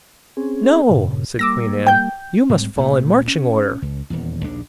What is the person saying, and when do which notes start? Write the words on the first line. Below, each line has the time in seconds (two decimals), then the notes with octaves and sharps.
"No," said Queen Ann, "you must fall in marching order."
0.37 C4 C#4 G#4
0.89 G2 A#2 C#3
1.39 G3 A#3 D6 E6 A#6
1.87 G5 G6
2.49 G#2 G3 C4
2.76 D2 A#2 A3
3.28 C#4
3.82 C#2
4.10 D#1 E2
4.44 A#1 D#2 D4